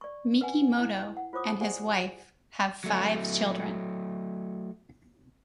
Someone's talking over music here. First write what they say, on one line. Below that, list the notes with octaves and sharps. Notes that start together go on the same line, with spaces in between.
Mikimoto and his wife have five children.
D5 C#6
B4 F#5 G#5
E4
F#5
F4 C5 C#5 D6 D#6
G4 G#4 C5 D5 F#5 G#5
F#3 A3